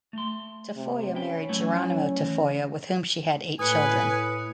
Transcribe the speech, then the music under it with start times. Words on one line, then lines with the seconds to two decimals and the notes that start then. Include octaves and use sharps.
Tafoya married Geronimo Tafoya with whom she had eight children.
0.13 A3 C6
0.76 C3
1.15 C#4 B4 G5
1.49 F#3 A3 E4
2.21 E3
3.59 A2 B4 G#5 D#6 C#7